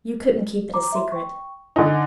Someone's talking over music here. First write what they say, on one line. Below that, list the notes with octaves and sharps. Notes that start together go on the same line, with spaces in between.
You couldn't keep it a secret.
A#5 D6
E5 C6
G5 C#6
D3 D#4 G#5